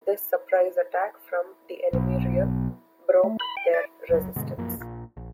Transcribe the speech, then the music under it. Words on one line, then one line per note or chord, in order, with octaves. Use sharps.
This surprise attack from the enemy rear broke their resistance.
B1
A3
B5
G5
D5
F#1 C#2 F#3
G2 B2 D3 G#3
A#1 F#2 F3 A#3
A#1 A#2
A#1